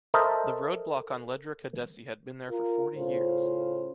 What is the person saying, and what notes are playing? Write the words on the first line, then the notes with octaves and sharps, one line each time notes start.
The road block on Ledra Caddesi had been there for forty years.
A4 A#4 C5 D#5 E5
F4 A#4
A2 C#3 F4 C5